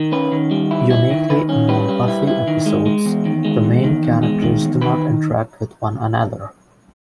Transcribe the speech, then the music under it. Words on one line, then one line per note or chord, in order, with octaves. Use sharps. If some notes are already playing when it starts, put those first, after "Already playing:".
Uniquely among "Buffy" episodes, the main characters do not interact with one another.
Already playing: D#3
C#4 B4
D#3
G3
E4
E4
D#3
D#3 B4
C#4
G3 B4
G3
E4
E4
D#3
G#3
G#3
E2
D#3
G#3
E2
D#3
E2
G#3
D#3
E2
D#3 B4